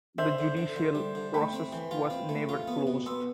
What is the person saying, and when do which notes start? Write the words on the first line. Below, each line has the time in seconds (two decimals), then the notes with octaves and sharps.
The judicial process was never closed.
0.18 D4 C5 E5
0.38 D3
0.57 D3
0.76 D3
0.95 G3
1.15 D3
1.34 A3 G5 B5
1.53 C4
1.72 E3
1.91 F4
2.10 C4
2.29 A3
2.49 F4
2.68 B3
2.87 B2
3.06 B3 C6 E6